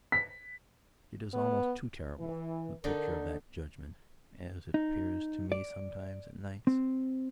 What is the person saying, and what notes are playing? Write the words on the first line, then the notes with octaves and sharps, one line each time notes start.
It is almost too terrible, the picture of that judgement, as it appears to me sometimes, at nights.
B6
B3
E3
D3 D4 D#4 A#4
D#4
D5
C4